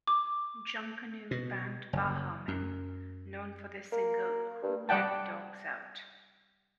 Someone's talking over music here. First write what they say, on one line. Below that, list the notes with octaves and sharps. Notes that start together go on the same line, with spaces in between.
Junkanoo band Baha Men, known for their single Who Let the Dogs Out?
D6
B2
F#1
F#2
A#3
G2
G3 D5 F#5 G5 A5